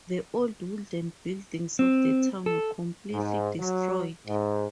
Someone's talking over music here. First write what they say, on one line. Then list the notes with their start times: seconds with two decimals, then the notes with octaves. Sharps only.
The old wooden buildings of the town were completely destroyed.
1.79 C4
2.46 A4
3.11 G#2
3.59 F#3
4.27 G#2